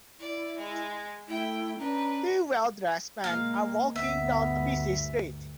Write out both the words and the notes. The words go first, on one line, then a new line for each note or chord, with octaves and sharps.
Two well dressed men are walking down a busy street.
E4 D5
G#3
A3 E4 G5
C#4 D4 B4 A#5
G#3 A#3 F5
D2 G2 B3 E5